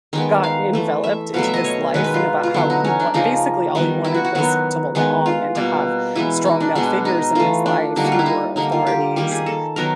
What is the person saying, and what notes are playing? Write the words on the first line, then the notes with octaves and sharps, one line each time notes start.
got enveloped into this life and about how he want basically all he wanted was to belong and to have strong male figures in his life who were authorities and
D#3 G#3 B3 G5
F5
E3 A3
E5
B2 F#3 A3 F5
E5
D#5
C#5
D#3 G#3 B3 B4
B4
F4
F4
D3 F#3 B3 E4
D#4
C#4
D4
C#3 F3 A#3 D#4
D#3 G3 B3
E4
F#4
F#4
D#3 F#3 B3 F#4
D#3 G#3 B3
F4
B2 G3 A#3
E3 G#3 B3 E4
D#4
D4
B2 G#3 B3 D4
D#4
E3 A3 F4
D4
D3 G3 A#3 D#4
F#4
F4
E4
D#4
D3 G3 A#3 D#4
F4
G4
D#3 G3 A#3 G4
G#4
A4
D#3 F#3 B3 A#4